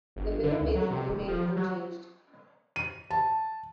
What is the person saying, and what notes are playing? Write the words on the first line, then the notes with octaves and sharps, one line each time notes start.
The Mirror Maze remained unchanged.
G1
D3
C#2
F#3
C3
D#1
F3
F#3
D#7
A5